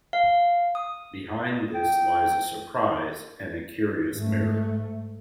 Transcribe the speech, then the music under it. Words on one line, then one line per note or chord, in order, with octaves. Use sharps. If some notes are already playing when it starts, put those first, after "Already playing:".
Behind this lies a surprise, and a curious mirror.
F5
D#6
G5
G#2 A3